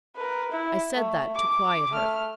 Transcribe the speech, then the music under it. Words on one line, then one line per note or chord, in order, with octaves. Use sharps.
I said that to quiet her.'
A#4 B4
E4
A3
D6
A3 F6